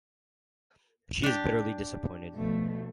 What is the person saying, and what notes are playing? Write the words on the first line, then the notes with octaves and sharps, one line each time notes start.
She is bitterly disappointed.
D4 G4
B2 F3 A3